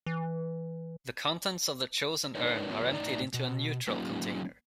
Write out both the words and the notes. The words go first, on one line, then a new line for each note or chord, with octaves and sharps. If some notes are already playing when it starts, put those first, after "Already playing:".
The contents of the chosen urn are emptied into a neutral container.
E3
D4 D#4 A#4 B4 C#5
D3 B3 F4 G4 B4 C#5
A2 D#4 D5 A#5
B2
F#3 A#3 C#4 D#4 F4 G4